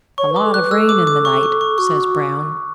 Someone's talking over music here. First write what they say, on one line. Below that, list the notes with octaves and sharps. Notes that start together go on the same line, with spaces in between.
"A lot of rain in the night," says Brown.
C#5 C#6
B4
D6
A4
B4 F#6
A4 E6
D6
D6
C#6
C#6
C#6
F#4 C#6